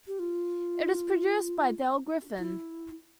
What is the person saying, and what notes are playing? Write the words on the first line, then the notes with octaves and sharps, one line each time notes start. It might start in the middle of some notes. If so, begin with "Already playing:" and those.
It is produced by Dale Griffin.
G4
F4
E4